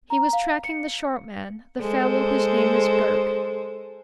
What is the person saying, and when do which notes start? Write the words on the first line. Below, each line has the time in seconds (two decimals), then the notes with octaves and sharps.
He was tracking the short man, the fellow whose name is Girk.
0.10 A#5
0.33 F5
0.64 C#7
1.81 G#3 A4 C5